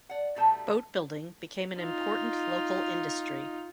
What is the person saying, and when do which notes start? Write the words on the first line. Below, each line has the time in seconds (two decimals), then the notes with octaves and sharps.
Boat building became an important local industry.
0.09 D5 F#5
0.36 B2 G3 A3 D#4 A5
1.80 D#4 F4